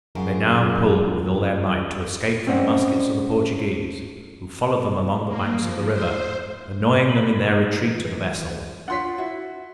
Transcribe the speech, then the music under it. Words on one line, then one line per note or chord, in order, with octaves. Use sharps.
They now pulled with all their might to escape from the muskets of the Portuguese, who followed them along the banks of the river, annoying them in their retreat to the vessel.
F#2 B2 F4 G#4 A#4
C4 C#4 C5 D5 D#5 F#5
A#3
F3
C5
A2
B5
D#4
E3
E3
D4 F4 C#5 F#5 C6 B6
E4 F#4